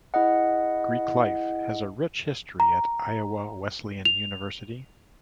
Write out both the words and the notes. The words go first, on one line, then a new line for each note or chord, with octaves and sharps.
Greek life has a rich history at Iowa Wesleyan University.
E4 G#4 D#5 F#5
A#5
F7